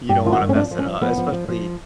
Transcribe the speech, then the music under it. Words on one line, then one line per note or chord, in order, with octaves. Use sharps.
You don't wanna mess it up, especially
G2 G4
D#3 F4
F#4
G2
C#4
F3 D4
F3
C#4
F3
F3 B3
F3
F3
F3